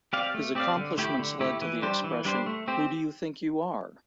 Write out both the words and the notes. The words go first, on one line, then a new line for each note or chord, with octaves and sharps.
His accomplishments led to the expression Who do you think you are?
C4 G4 D5 F5
A3
C4 G4 D5 F5
D3
A3 E4 G4
D3
A3 E4 G4
E3
G3 D4 G4 C5
E3
G3 D4 G4 C5
A3
C4 G4 C5